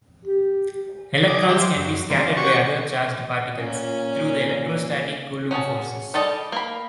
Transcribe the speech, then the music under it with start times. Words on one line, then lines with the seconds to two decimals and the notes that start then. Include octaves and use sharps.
Electrons can be scattered by other charged particles through the electrostatic Coulomb forces.
0.25 G4
1.28 D#5 G#5 D6
1.48 F3 G3 G4 C5 E5
1.75 F#2
2.10 D3 E3 G3 A#3 C4
2.24 F3
2.37 F#4 G4 C#5 G#5 C#6
3.57 A#2 C#4
5.51 C#4 F#4 G#4 A5
6.14 G3 A4 D5 D#5 A5
6.52 A#3 B5